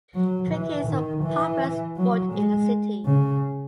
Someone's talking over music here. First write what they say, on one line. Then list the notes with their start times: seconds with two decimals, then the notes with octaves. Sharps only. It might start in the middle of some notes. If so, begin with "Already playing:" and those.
Cricket is a popular sport in the city.
0.15 F#3
0.51 E3
0.88 D#3
1.23 E3
1.96 F#3
2.33 G#3
3.05 C#3